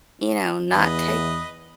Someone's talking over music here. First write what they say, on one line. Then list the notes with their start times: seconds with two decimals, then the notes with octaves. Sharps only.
you know, not take
0.72 E2 B4 D#5